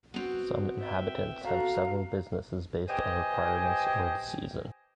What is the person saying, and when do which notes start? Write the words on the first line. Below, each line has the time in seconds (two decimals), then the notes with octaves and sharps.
Some inhabitants have several businesses based on requirements or the season.
0.14 B3 C4 F#4
0.79 E5 G5
1.44 F#4 A4 F5 A#5
2.89 G4 B4 C5 D#5 G5 G#5